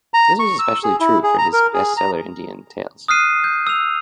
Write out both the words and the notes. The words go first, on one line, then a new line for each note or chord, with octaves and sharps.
This was especially true for his bestseller, Indian Tales.
A#5
C#6
E6
G#4
E4
G#4
A#5
A#4
G#4
A#5
D#6 F6 F#6 C7 D#7
G6
E6 F7